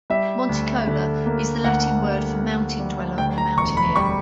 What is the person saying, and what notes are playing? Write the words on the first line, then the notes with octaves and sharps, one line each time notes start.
"Monticola" is the Latin word for mountain-dweller or mountaineer.
G3 E5
D2
D3
A#3
D2 F#5
G3
A#3
G3
D2 G5
A#5
E1 C#6
B5
G3 C#6